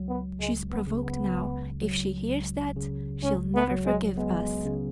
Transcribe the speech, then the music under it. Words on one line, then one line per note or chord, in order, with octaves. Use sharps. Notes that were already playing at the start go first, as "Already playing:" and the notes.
"She's provoked now; if she hears that, she'll never forgive us."
Already playing: C#2 F#3
B3
C#2 G#3
B3
C#3
B3
C#2
F#3
C#2
C#3
C#2 C#4
B3
F#3
G#3
G#3 B3
C#3